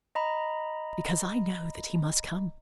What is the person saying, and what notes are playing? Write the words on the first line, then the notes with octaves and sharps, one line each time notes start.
"Because I know that he must come."
D#5 A#5 B5